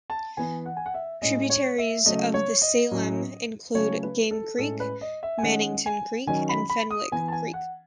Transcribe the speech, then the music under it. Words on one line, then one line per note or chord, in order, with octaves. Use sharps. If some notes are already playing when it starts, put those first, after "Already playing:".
Tributaries of the Salem include Game Creek, Mannington Creek, and Fenwick Creek.
A5
E3 B3 G#5
F#5
G#5
F#5
E5
A2 G#3 C#4 D#5
C#5
E5
C#3 F#3 A3 D#5
C#5
D#5
A2 F#3 C#4
C#3 F#3 A3 C#4 C#5
B4
A4
A2 G#3 C#4 A4
B4
D#5
E5
G#5
D#3 G#3 C#4 F#5
G#5
D#3 F#3 C#4 G#5
B5
B5
D#6
E3 B3 G#5
A5
G#5
F#5